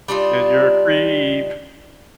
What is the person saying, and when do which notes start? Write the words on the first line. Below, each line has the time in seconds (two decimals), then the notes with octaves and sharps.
"And you're a creep."
0.08 G3 D4 D#4 F4